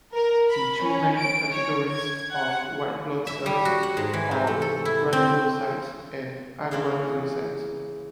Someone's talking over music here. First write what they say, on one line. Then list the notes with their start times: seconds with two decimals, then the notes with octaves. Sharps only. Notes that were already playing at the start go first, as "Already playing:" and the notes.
The two main categories of white blood cells are granulocytes and agranulocytes.
0.14 A#4
0.50 B5
0.81 C#4
1.19 D7
1.53 C#5
1.90 G#6
2.33 F#5
3.27 E5
3.46 G3
3.65 F#4
3.83 F#5
3.97 G#2
4.13 E3
4.31 C3
4.47 A3
4.62 A4
4.85 E4
5.13 C4
6.71 C#3 E3 A#3